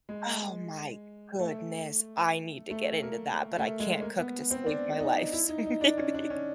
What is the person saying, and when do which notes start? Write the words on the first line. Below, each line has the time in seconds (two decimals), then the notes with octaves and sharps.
Oh my goodness, I need to get into that, but I can't cook to save my life, so maybe.
0.09 G#3
1.40 A3
2.71 A3
3.02 A#3
3.58 A3
3.80 G#3
4.02 A#3
4.17 B3
4.51 C4
4.66 D4
5.00 D#4
5.33 E4
5.49 D#4
5.66 D#4
5.81 D4
5.98 C#4
6.14 D4
6.30 C#4